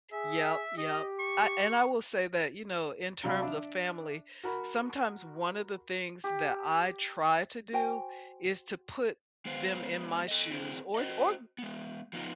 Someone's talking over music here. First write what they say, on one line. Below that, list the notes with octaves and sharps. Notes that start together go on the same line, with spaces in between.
Yep. Yep, uh, and I will say that, you know, in terms of family, sometimes one of the things that I try to do is to put them in my shoes, or t or
G#4 E5
G4 D#5
C#6
C3 F#3 D5 F5 B5
D4 E5
F#4 A#4 B5
G4
F#4 C5 G5 G#5
G#3 B3 C5 F5
A4 D#5
C4 E4 G#4 C5
F#4 C5 D#5
G#3 B3
F3 B3 D#4 F4